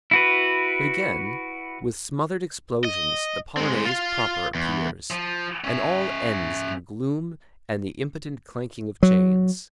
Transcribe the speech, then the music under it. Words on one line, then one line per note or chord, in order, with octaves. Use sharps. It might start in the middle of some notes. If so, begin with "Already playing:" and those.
But again with smothered explosions the Polonaise proper appears, and all ends in gloom and the impotent clanking of chains.
E4 F#4 B4
D#5
G#3 C4
F4 F5
E2
F3
C#4 E5
F#3